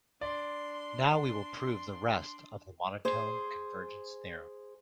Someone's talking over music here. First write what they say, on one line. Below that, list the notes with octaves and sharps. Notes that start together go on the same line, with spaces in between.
Now we will prove the rest of the monotone convergence theorem.
D4 D5 C6
G#4 C5